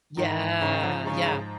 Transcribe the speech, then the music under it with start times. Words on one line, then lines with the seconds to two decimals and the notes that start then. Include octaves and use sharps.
Yeah, yeah.
0.17 G#2 D#3
0.39 G#2
0.61 G#2 C#3
0.83 F3
1.05 G#2 C#3
1.27 G#2